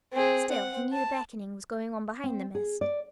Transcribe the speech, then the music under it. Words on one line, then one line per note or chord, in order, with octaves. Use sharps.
Still he knew the beckoning was going on behind the mist.
C4 G#4
C4 F#5
A5
C4
G#4
D5